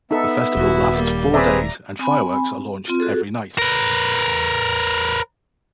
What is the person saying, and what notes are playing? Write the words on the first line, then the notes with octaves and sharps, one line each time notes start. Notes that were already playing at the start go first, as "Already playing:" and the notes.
The festival lasts four days and fireworks are launched every night.
B3 D#4 A4 E5
D#1 E4 F#4
G3 A#3
C4 G#4 B4 D5 E5 A#5
C4 G#5 B5
C4 F4
F#4 G#4 A4
A#4 B4